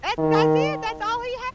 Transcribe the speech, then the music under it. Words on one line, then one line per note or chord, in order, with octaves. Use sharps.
that's that's it! That's all he
D#3